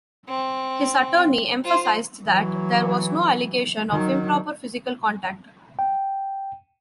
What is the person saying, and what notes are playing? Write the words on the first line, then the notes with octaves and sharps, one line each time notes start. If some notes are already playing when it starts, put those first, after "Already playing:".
His attorney emphasized that there was no allegation of improper physical contact.
C4
F4 C5
E3 F#3
D#3 F#3
G5